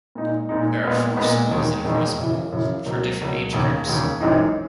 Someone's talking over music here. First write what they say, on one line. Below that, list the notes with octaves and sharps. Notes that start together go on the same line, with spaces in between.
There are four schools in Crosspool for different age groups.
A#2 G#3 D#4
A#2 G#3 D#4
A#2 G#3 B3
A#2 G#3 B3
E1 D#2 D#3 G#3
E1 D#2 D#3 G#3
F#2 C#3 E3
F#2 C#3 E3
C#2 B2 F#3 A#3
C#2 B2 F#3 A#3
E1 D#2 C#3
E1 D#2 C#3
G#1 F#2 E3 G#3 D#4